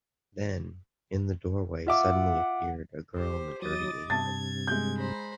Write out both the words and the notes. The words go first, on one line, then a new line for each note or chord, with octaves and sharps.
Then, in the doorway suddenly appeared a girl in a dirty apron.
F4 E5 F#5 D6
G4 C5
F#3 D#5 D6 D#6 A6
G2 C3 A5 G#6 A6
G#3 G6
C5 A#5 B5